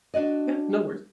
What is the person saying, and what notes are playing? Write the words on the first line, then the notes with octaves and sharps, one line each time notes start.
Yeah, no worries.
D4 F#4 D5 D#5